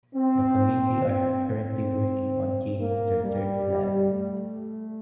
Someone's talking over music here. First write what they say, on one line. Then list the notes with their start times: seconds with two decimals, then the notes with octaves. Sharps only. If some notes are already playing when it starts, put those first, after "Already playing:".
The committee are currently working on gaining their third flag.
0.14 C4
1.03 C4
1.47 C4
2.79 A#3
3.23 G3
4.11 A3